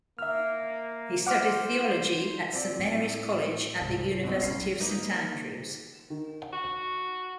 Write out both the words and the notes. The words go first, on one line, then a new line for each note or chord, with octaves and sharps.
He studied Theology at Saint Marys College at the University of Saint Andrews.
A#3 E5 F6
C5 F#5 D6 F6
C4 D5
A2
C2 G#2
B2 C4
F1 B1 C#4 C7
A#3 D#4 B4
D#3
F#4